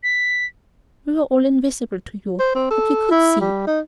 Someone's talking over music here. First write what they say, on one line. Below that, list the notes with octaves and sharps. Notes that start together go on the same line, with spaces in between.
We were all invisible to you; but we could see.
B6
C5
C4
A4
E4
G3
D#4